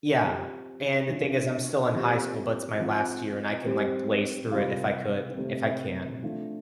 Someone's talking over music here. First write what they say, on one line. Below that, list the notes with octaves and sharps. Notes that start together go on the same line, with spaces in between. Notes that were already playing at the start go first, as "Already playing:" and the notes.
Yeah, and the thing is I'm still in high school, but it's my last year, and I can, like, blaze through it if I could if I can.
F3 C4 G4
C3 F3 D4 F4
F3 C4 G4
F3 C4 F4
G3 C4 G4
C3 G3 F4
C3 A3 C4
F3 A3 D4 F4